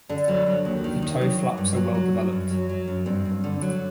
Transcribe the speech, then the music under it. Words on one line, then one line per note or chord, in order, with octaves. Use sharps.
The toe flaps are well developed.
D3 D4
F#3
F#3
D#2
D#3
D#3
F#3
F#3
G2
F#3
F#3
G2
F#2
F#3
F#3
F#2
G2 C4
G2
D3
F#3